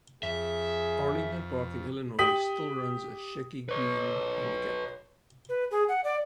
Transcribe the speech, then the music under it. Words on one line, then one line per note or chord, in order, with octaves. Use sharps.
Arlington Park in Illinois still runs a Shecky Greene Handicap.
F2 G#4 E5
G4 G5 D#6 B6 F#7
B4 C#5
B4
G#4
F#5
D5